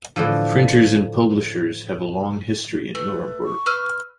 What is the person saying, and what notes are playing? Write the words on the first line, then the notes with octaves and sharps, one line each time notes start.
Printers and publishers have a long history in Nuremberg.
A2 D3 E3 F3
A3 B4
C#6
B4 E6 F6